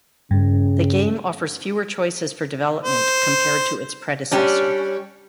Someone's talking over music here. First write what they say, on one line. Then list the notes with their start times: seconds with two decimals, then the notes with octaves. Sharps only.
The game offers fewer choices for development compared to its predecessor.
0.31 G2 C#3
2.84 C5
4.32 G3 C#4 D4